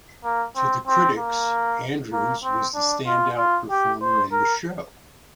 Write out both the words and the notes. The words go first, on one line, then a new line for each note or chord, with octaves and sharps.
To the critics, Andrews was the stand-out performer in the show.
A#3
C4
C4
A#3
A#3
C4
D4
F4
F4
G4
C5
A#4